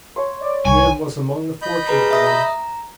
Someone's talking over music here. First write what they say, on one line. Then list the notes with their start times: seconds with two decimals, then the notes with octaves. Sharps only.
Grim was among the fortunate ones.
0.16 C#5 C6
0.41 D5
0.65 C2 C#5 G#5
1.62 D#5 B5 G6
1.87 G#4 B4 A#5
2.11 E5 D#6 A#6
2.27 A#5